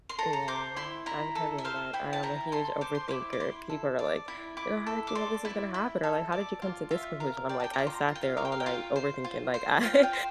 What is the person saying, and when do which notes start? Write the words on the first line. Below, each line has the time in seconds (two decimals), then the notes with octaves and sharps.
Yeah, I'm heavy on that. I am a huge overthinker. People are like, "You're how did you know this was gonna happen?" Or like, "How did you come to this conclusion?" I'm like, "I sat there all night overthinking," like, I
0.09 C6
0.19 A4 A#5
0.33 A#5
0.48 C5 D6
0.76 E4 C6
1.06 E4 A#5
1.35 A4
1.58 E5
1.65 C5 F5
1.93 E4 G5
2.13 A5
2.23 E4 A#5
2.52 A4 C6
2.81 C5 D6
2.95 C6
3.08 E4 D6
3.33 D6
3.40 E4 C6
3.69 A4
3.99 D5
4.28 E4
4.57 E4 D6
4.87 A4
5.07 D6
5.15 D5 C6
5.45 E4
5.74 E4
6.03 A4
6.32 D5
6.62 F4
6.91 F4 E5
7.20 A#4 F5
7.49 D5 G5
7.60 A5
7.64 G5
7.73 A#5
7.78 F4 A5
7.87 C6
7.94 A#5
8.08 F4
8.15 G5
8.23 F5
8.37 A#4 F5
8.45 G5
8.52 F5
8.60 G5
8.66 F4 F5
8.96 C5
9.24 F4
9.54 C5
9.83 F4 G5
9.94 F5
10.03 G5
10.13 C5